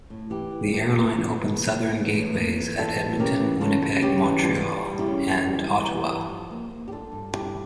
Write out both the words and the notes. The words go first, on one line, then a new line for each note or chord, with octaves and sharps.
The airline opened southern gateways at Edmonton, Winnipeg, Montreal and Ottawa.
A2
E3 E4 G4
E3
A2 E4 G4
A#3
E3 F4
E3
A#3
A#3
E3
A2
A#3
E3
E3 F4 A4
G3
C#3 G4 A#4
E3
C#3 F4 A4
C#3
C#3 E4 G4
E3
G3 F4
G3
G3
E4 G4
C#3
E3
G3
E3
E3
G2
F3
A#3
A#3
G4
D4 F4 A4
G2
G2 E4 G4